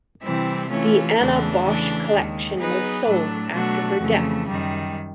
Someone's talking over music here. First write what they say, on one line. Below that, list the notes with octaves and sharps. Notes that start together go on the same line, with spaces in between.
The Anna Boch collection was sold after her death.
C3 E3 G3 C4 E4
E3 A3 C#4 F4
E2 C#3 E3 A3 D4
C#3 E3 A3 D4
D#2 D#3 G#3
F#3 B3 D#4 G#4 B4
A2 F#3 A3 D4
B2 F#3 A3 D4 F#4
F2 C#3 E3 A3
F#2 D#3 G3